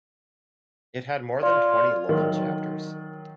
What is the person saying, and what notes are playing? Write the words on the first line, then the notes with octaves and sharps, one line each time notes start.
It had more than twenty local chapters.
F4 D5
D#3 F#3